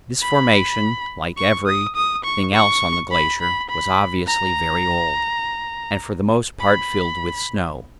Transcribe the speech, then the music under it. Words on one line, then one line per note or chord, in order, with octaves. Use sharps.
This formation -- like every -- thing else on the glacier-was obviously very old, and for the most part filled with snow.
B5
C#6
D#6
D#6
C#6
C#6
B5
B5
B5
A#5
B5